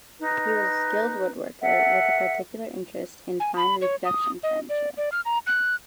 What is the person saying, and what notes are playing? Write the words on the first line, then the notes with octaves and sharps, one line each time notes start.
He was a skilled woodworker, with a particular interest in fine reproduction furniture.
D#4 B4
A4 E5 F#5
G#5
B5
C#5
D#6
D#5
D5
D5
F6
A#5
F#6